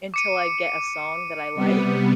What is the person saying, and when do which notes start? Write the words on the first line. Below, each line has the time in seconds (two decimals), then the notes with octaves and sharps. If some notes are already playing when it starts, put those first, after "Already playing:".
until I get a song that I like
0.14 D6 C#7 D#7
1.54 C3 G3 B3